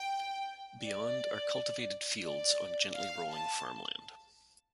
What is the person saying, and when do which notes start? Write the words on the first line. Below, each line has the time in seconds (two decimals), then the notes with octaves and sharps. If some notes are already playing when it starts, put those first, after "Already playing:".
Beyond are cultivated fields on gently rolling farmland.
Already playing: G5
0.84 D5
2.26 D5
2.96 F5
3.32 A5